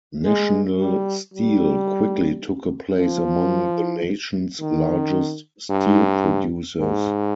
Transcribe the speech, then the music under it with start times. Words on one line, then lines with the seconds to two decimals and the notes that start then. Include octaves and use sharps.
National Steel quickly took a place among the nation's largest steel producers.
0.24 G#3
0.79 G3
1.34 G3
2.97 F3
4.61 D#3
5.70 G2
6.79 G#2